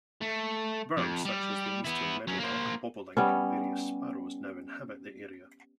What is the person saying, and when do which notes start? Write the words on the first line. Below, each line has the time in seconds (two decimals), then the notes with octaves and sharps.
Birds such as the Eastern meadowlark, bobolink, and various sparrows now inhabit the area.
0.21 A3
0.97 F2
1.25 G3
1.85 B3 E4
2.27 F#3 C#4
2.39 A#3 C5
3.17 G3 B3 C#4